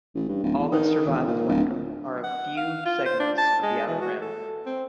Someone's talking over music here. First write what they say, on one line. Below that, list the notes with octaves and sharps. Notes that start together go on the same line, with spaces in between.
All that survives of Winthrop are a few segments of the outer rim.
A1
G2
D1
E2
D#3
E1
A#2
D1
F#5
F5
F4
C5
D4
A5
G#3
E3
F#4
A4
C4